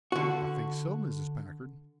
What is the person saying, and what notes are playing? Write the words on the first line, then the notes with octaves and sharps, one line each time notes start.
"I think so, Mrs. Packard."
D3 F#4